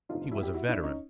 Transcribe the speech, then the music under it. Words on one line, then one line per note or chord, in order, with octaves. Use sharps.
He was a veteran.
F1 F2 D3 D#4 F4
E4 F#4
G4
E4 F#4
D4 E4
C#4 D#4